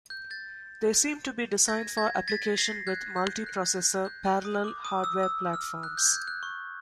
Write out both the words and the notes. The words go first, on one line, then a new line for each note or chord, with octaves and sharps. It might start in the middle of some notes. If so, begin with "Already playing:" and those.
They seem to be designed for application with multiprocessor parallel hardware platforms.
G6
G6 A6
G#6 A#6
G#6 A#6
A6 B6
A#6 C7
F#6 G#6
G6
F#6
G6
G6
F#6
D#6
D6
D#6
E6
E6
F6
F#6
G6
G#6
G6
F#6
C#6